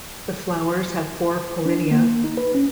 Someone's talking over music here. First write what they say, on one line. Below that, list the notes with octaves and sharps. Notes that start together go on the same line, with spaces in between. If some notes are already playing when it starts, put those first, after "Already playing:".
The flowers have four pollinia.
D4
A#3
D#4
B4
C#4